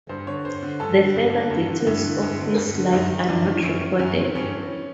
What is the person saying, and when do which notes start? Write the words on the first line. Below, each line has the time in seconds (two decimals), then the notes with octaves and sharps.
The further details of his life are not recorded.
0.09 G2 C5
0.27 D3 C#5
0.45 G2 C5
0.63 D3
0.80 G2 A4
0.98 D3
1.15 G2
1.33 D3
1.51 G2
1.68 D3
1.86 G2 E4
2.04 D3
2.22 G2
2.40 D3
2.58 G2
2.75 D3
2.93 F#2 D#4
3.11 D#3
3.28 F#2 D4
3.46 D#3
3.63 F#2 C#4
3.81 D#3
3.99 F#2 C#4
4.17 D#3 C4
4.35 G2 C#4
4.52 E3